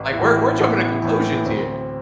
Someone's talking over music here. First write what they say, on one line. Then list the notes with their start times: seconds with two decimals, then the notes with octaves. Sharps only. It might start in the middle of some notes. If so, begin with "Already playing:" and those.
Like, we're we're jumping to conclusions here.
Already playing: A1
0.13 E4
0.19 A2 E3 F#4
0.60 A1 B3
1.02 A2 E3
1.45 D2 C4